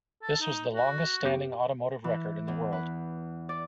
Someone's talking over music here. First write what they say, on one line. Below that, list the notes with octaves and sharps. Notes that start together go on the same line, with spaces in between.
This was the longest standing automotive record in the world.
A4
D#4
F#4
F#2 B3 G4
E3
E2
B4
D5